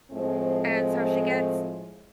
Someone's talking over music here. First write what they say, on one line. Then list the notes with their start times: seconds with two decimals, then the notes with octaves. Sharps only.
and so she gets
0.12 A2 F3 G#3 C4